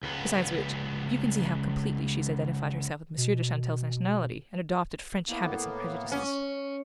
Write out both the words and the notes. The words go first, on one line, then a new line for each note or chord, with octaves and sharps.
Besides which, you can see how completely she has identified herself with Monsieur de Chantelle's nationality and adopted French habits and prejudices.
C#2 B3
B2
A2 A#3 B3
C#4